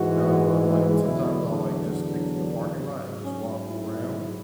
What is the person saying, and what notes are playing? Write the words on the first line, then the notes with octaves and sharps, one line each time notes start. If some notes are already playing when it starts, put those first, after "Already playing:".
know, I'ma go I might sometimes I'll, like, just stick to the parking lot and just walk around
Already playing: G#2 E3 G#3 F#4
E2 D3 F#3 E4
D4
D4
G#2 F#3
C#4
E4